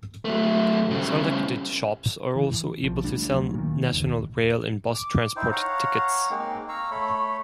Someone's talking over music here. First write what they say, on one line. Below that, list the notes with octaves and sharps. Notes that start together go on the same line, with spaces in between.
Selected shops are also able to sell national rail and bus transport tickets.
F#3 A3
C#3 G3
E3
A#1 F3
D2 G3 D4
D2 F#3
A#2 D#3
F#1 D#2
D6
D#4 E4 C5 G5
C#5 F5 F#5 A#5
G#3 A#3 C4 D#4
F5 A#5 C#6 E6
A3 C#5 B5